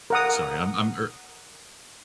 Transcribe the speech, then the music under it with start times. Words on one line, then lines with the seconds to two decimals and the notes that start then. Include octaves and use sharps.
Sorry, I'm I'm ear
0.10 A#4 F#5 D#6